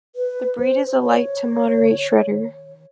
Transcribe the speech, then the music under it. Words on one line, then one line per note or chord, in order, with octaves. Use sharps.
The breed is a light to moderate shedder.
B4
C5
C#5